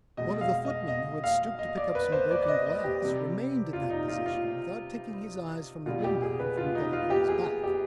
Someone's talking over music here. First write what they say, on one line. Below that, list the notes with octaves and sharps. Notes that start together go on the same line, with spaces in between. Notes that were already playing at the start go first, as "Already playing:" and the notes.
One of the footmen who had stooped to pick up some broken glass remained in that position without taking his eyes from the window and from Dolokhov's back.
B2 G#3 D#5
F5
D#5
D#5
F5
D#5
D5
B4
C5
D5
D5
D#5
D#5
G4
C3 G3
F4
D#4
F4
F4
B2 G3 F4
G4
G#4
B4
F4
D#4
F4
G4
G#4
G4